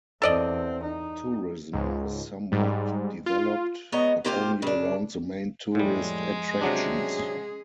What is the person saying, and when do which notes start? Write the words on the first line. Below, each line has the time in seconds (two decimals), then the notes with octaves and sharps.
Tourism is somewhat developed, but only around the main tourist attractions.
0.22 E2 C4 A4 D5 D#5
0.83 D#4
1.73 C#2 G#2
2.52 G#2 G3
3.26 F4
3.92 G#3 B3 C#5 D#5 A#5
4.24 C3 A#3 F4 G4 A#4 C5
4.62 C#3 D4
5.75 F2 A2 F3 G3 G#3
6.61 C3 F#3 C#4 D4 G#4